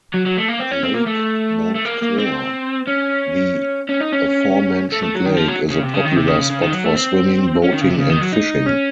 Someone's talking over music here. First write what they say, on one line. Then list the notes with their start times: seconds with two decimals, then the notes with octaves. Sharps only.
Lake Montclair, the aforementioned lake, is a popular spot for swimming, boating, and fishing.
0.14 F#3
0.26 F#3
0.37 A3
0.49 A#3
0.60 C4
0.71 C#4
0.83 C4
0.94 A#3
1.06 A3
1.75 A3
1.85 A#3
2.02 A#3
2.19 C4
2.87 C#4
3.89 C#4
4.01 D#4
4.12 C#4
4.92 A3
5.03 A3
5.15 F#3
5.26 D#3
5.37 F3
5.48 F#3
5.70 C#3
5.83 C3
5.94 C#3
6.05 D#3
6.16 C3
6.27 C#3
6.39 C#3
6.50 C#3
6.62 D#3
6.73 F#3
6.84 A3
6.96 C4
7.63 C#4
7.73 D#3
7.81 C#3
7.89 C3
7.98 C#3
8.10 D#3
8.21 F#3
8.33 D#4
8.66 C#4